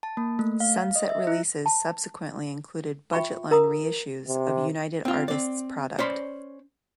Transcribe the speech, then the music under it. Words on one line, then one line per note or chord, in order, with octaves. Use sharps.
Sunset releases subsequently included budget-line reissues of United Artists product.
A5
A#3
A3
F5
D#5
E5
E4
A5
F4 E5 G5 B5 C#6
A#4 A#5 D#6
C3
C4 F4
C4 D5
C#4 C5 D5 B5 C6